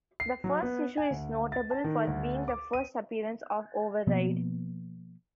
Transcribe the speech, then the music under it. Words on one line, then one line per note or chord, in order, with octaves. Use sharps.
The first issue is notable for being the first appearance of Override.
C7
F#3
B3
G#5
D2
A6
A5
D#3
D2
D6
D#7
B2 F3 A#3 B3